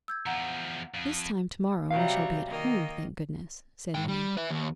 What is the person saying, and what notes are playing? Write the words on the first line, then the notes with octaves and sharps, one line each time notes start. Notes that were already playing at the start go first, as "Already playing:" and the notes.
'This time tomorrow we shall be at home, thank goodness,' said Una.
E6 G6 G#6
E2 F3 F#5 A#5
F2
C3 F#3 G3 F5
D#3 A#3 D#5
G#2 G5
G3
B4 E5
D#2